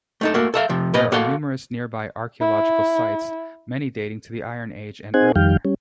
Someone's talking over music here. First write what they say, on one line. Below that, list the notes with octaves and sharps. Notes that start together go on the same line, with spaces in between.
There are numerous nearby archaeological sites, many dating to the Iron Age and earlier.
A3 D#4 A4
A3 A#3 F#4
A4 E5 F5
C3 F3
A#2 B4 D#5
A#3 F#4 A4 F5 C6
E4
C4 D#4 G#4 C5 F#5 G#5
F2 D#3 G3 F5 G5
G3 C#4